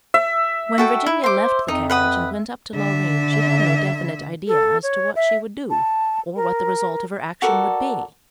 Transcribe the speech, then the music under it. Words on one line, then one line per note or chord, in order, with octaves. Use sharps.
When Virginia left the carriage and went up to Loreen she had no definite idea as to what she would do or what the result of her action would be.
E5
F#4 A4 G5
E4
C5 C6 D6
F2 D#4
B4 F#5 D#6
D3 E5
A4
C#5
E5
A5
A#4
F#4 A4 A#4 D5